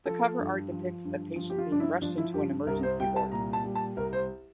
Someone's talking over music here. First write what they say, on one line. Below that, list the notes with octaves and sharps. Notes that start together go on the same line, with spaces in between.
The cover-art depicts a patient being rushed into an emergency ward.
F3 A4
G2
F3
G2
F3
G4
F4
G2 D4
E4
F3 D4
E4
G2 G4
C2 A#4
C5
C2 G5
A5
A#2 A#5
A5
G3
A5
C2 A#4
C5